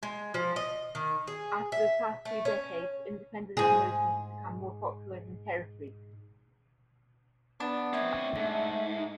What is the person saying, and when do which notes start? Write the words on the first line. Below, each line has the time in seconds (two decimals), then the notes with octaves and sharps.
After the past few decades, independent promotions have become more popular than territories.
0.03 G#3
0.34 F3
0.56 D#5
0.95 D#3
1.27 G#4
1.72 E5
2.25 A3
2.45 C#4
3.57 G#2 G#4
7.60 B3 D4
7.93 C4 C#5 E5
8.36 G#2 A3